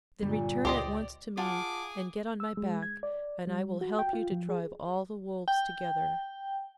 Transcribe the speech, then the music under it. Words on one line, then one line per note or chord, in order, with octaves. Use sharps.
Then return at once to me and get on my back, and I will help you to drive all the wolves together.'
G1 A#2 G3
C#2 G4 C5 D5 D#5
F4 G#4 F#5 A5 D6
E6
G#3
G#6
D5
G3
F#4
G5
F4
F3
G#4
G5